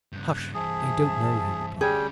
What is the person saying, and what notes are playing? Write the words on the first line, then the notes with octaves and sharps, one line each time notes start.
"Hush, they don't know," he replied.
G2 C#3 F#6 G6
G2 E3 G#4 C5 E5 A5
D2 G3 C#4 G#4 G5